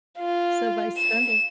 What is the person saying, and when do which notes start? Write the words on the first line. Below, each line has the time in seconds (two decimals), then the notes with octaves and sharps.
So, by Sunday
0.19 F4
0.97 E7